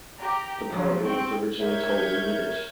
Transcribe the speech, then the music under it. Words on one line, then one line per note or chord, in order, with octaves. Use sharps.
The parable was originally told in Yiddish.
G4 A#5
F3 F#3
C4 G5 C#6
A#4 C#5 E5 G6 G#6